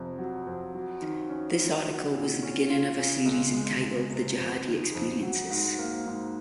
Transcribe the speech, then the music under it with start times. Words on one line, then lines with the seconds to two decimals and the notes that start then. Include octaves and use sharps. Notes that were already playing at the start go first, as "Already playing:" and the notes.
This article was the beginning of a series entitled "The Jihadi experiences".
Already playing: F2 C3
0.18 F#3
0.47 F2
0.74 F#3
1.02 D#3
1.30 C#4
1.59 D#3
1.86 F#3
2.14 A#2
2.43 C#4
2.70 F4
2.99 C#3
3.26 C#2
3.53 G#3
3.81 C#2
4.10 C3
4.37 F2
4.67 D#3
4.94 F2
5.22 F#3
5.50 G#2
5.78 A#3
6.06 G#2